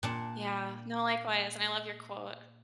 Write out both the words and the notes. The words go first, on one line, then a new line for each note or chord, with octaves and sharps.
Yeah, no, likewise, and I love your quote.
A#2 D4